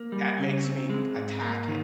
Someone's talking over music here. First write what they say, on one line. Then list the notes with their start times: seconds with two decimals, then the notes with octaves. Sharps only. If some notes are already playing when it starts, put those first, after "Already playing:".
that makes me attack it,
Already playing: A#3
0.12 G3
0.38 C#3
0.64 C4
0.89 G#3
1.16 G#2
1.42 A#3
1.68 D#3